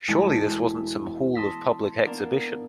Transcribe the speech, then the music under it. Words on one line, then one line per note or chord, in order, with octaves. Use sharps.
Surely this wasn’t some hall of public exhibition!
E1 G#3 A3 E4 G#5 A5
A5 C6 D#6 E6 A#6 B6
A#3 B3 D4